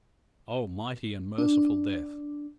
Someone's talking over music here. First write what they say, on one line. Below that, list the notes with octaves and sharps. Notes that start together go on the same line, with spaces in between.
Oh, mighty and merciful Death!
D4